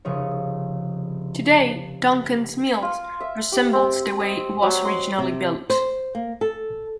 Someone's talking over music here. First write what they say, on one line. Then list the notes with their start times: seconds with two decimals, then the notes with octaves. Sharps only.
Today, Duncans Mills resembles the way it was originally built.
0.05 F1 C#3 F3 G#4 C#5
2.82 F4
3.20 E5
3.52 G4
3.73 C4
4.20 D#5
4.62 F#3
4.85 C6
5.18 C3
5.70 C5
6.15 A#3
6.41 A4